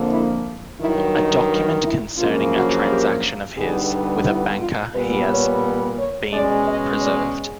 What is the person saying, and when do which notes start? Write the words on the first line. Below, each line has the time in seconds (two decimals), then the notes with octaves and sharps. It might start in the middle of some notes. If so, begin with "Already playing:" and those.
A document concerning a transaction of his with a banker has been preserved.
Already playing: F2 D3 F3 A#3
0.10 E4
0.79 G2 D#3 F#3 E4
1.14 D#4
1.83 E4
2.18 F#2 C#3 F3 A#3 D4 F4
2.53 F#4
2.87 G4
3.56 G2 D3 G3 B3 D#4 G#4
4.25 E4
4.59 F4
4.95 A#2 G3 B3 B4
5.29 C#5
5.98 C#5
6.33 B2 G#3 C#4 D5
6.68 D#5
7.02 D5